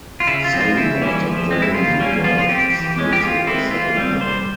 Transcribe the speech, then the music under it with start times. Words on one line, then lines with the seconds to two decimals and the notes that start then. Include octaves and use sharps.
Sully, after drugging the dog, steals it a second time.
0.20 F4
0.27 C#3 E4
0.44 F4
0.53 F3 C4
0.60 F4
0.76 C#3 E4
1.02 E3 G3 C#4
1.26 F3
1.51 G#3 C4
1.62 E4
1.75 C#3 F4
2.00 G3 A#3 C#4
2.24 F3 F4
2.38 F4
2.49 C4 G4
2.73 E3
2.98 G#3 C#4
3.13 G4
3.23 E3 F4
3.47 G#3 C4 E4
3.71 E3 F4
3.97 G3 C4
4.20 G3 C5